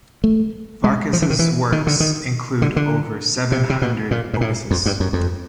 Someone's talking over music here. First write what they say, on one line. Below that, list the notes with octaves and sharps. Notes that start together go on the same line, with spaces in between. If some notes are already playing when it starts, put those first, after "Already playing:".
Farkas's works include over seven hundred opuses.
A3
G#3
F3
E3
D#3
E3
D#3
D3
D#3
D3
D3
C3
C3
B2
A#2
G#2
A2
F2
G2
F#2
F2